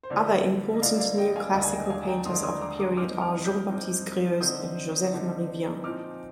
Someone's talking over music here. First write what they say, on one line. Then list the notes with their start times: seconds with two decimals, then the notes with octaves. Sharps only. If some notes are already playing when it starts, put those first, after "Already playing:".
Other important neoclassical painters of the period are Jean-Baptiste Greuze and Joseph-Marie Vien.
0.03 C5
0.10 G2 D3 F3 A#3 D5
0.74 D#5
0.82 G2 D3 F3 A#3 D5 F5
1.00 D5 F5
1.18 D#5 G5
1.36 F5 G#5
1.54 D#2 D3 G#3 D4 F4 D5 F5
1.63 G#5
1.72 D#5 G5
1.90 F5 G#5
2.08 G5 A#5
2.25 D#2 D3 G#3 D4 F4 C6 D#6
2.43 C6 D#6
2.61 A#5 D6
2.71 D#6
2.79 A#5 D6
2.97 G2 F3 C4 D#4 D6 F6
3.21 D6 F6
3.34 F6
3.45 D#6 G6
3.69 G2 F3 C4 D#4
4.40 D3 F3 C4 D#4 D#6 G6
5.12 D3 F3 C4 D#4
5.84 A#2 F3 C4 D#4 D6 F6